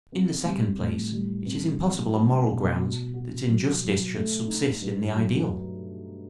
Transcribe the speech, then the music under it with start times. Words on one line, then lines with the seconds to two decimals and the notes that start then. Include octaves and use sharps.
In the second place, it is impossible on moral grounds that injustice should subsist in the ideal.
0.12 C4
0.45 G3
0.79 A2
1.12 G3
1.46 C4
1.80 F#3
2.13 F#4
2.47 B2
2.80 F#4
3.14 F#4
3.47 F#3
3.82 F#3
4.15 A3
4.48 D#4
4.82 G2
5.16 F#3